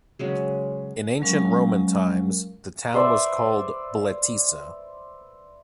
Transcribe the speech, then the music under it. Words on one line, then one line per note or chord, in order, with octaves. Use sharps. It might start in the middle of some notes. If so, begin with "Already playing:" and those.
In ancient Roman times, the town was called "Bletisa".
C#3 F#3 G#3
F#3 G#3 C#4 A#4 F5
B4 C5 D5 E5